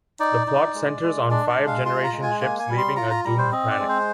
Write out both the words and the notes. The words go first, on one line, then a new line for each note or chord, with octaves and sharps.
The plot centers on five generation ships leaving a doomed planet.
D#4 D5
D#4
G#3
G#3
D4 D5
D5
G#3
F5
F4 C6
A#5
G#3
G#5
A#3 G#5
G#5
G3
C6
F4 A#5
A#5
G3 A#5
C5
C4 D#5
D5
G#3
C5